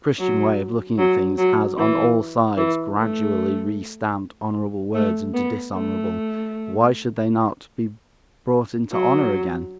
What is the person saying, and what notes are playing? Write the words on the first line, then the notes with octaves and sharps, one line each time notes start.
The Christian way of looking at things has on all sides gradually re-stamped honorable words into dishonorable; why should they not be brought into honor again?
F#3
F#3
F#3
E3
E3
A3
A3
B3
A3
F#3